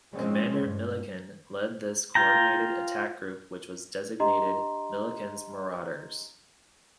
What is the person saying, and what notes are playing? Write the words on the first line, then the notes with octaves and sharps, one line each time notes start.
Commander Millican led this coordinated attack group, which was designated Millican's Marauders.
A#2 F3 G#3 C4 C#4
G2
F4 G5 A#5
D4 G4 D#5 A#5 C6